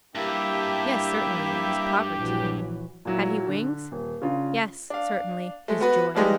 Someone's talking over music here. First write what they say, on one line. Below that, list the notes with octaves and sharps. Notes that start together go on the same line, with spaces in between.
Yes, certainly, his poverty; had he wings? yes, certainly, his joy.
G2 A#3 E4 G4 E5
A#1 E3 F#3
A#2 F#3 E4
D3
D#1
C#3 D4 F4
D4 F5
G#3 A3
B3 F#4 B4
E3 F3 G3 G#3 D#4